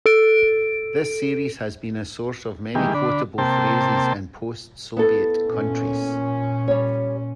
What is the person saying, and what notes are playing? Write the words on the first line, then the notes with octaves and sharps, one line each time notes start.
The series has been a source of many quotable phrases in post-Soviet countries.
A4 D7
D#3 E3 G3 G#3 A#3 G4
D3 D4 B5
C3 A#3 C5 G5 A5
B3 E4 A4
A#2 C#4
G3 C#5